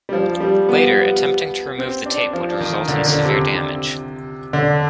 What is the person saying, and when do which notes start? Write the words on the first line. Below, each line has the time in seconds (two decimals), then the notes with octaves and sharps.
Later, attempting to remove the tape would result in severe damage.
0.09 G3
0.13 F3
0.40 G3
0.69 B3
1.78 C4
2.06 D4
2.33 F3
2.60 D#3
2.88 D3
3.06 D3
3.25 C3
4.53 D3